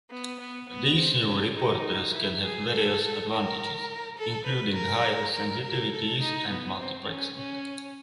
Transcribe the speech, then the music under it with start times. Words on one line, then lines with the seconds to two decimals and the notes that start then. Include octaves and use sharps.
These new reporters can have various advantages, including higher sensitivities and multiplexing.
0.10 B3
0.40 B3
0.69 B3
0.98 C4
1.27 C#4
1.56 D#4
2.14 E4
2.43 G#4
2.71 A4
3.31 A#4
4.18 A4
4.46 B4
4.75 A#4
5.33 A#4
5.63 A#4
5.92 A4
6.20 D#4
6.50 B3
6.78 C4
7.08 C#4
7.36 C#4